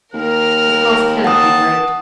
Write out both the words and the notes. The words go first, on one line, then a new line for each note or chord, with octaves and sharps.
The cost cannot be great.
D#2 A#4 F6
F#5 A5 D#6